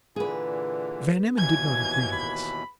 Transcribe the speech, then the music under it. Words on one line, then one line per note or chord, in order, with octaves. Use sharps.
Van Emmon did not agree to this.
A#2 D3 E3 G#4 B4
D#2 B2 E3 G#5 G#6
B5